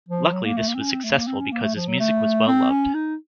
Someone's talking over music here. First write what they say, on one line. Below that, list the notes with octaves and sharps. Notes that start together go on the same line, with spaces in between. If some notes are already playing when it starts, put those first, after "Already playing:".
Luckily this was successful because his music was well loved.
F3
F#3
A#3
A3
A#3
C4
C#4
C4
A3
A#3
C4
C#4
A#3
A3
F3
F#3
A3
C4
C#4
D#4